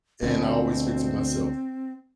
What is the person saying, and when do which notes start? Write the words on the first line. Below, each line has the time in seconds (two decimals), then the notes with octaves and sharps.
and I always fix it myself.
0.23 D2 B2 C4